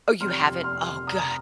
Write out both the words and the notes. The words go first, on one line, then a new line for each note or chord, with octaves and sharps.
Oh, you haven't? Oh, god,
F1 F2 C3 G3 C6 F6
C6 F6
A#5 D#6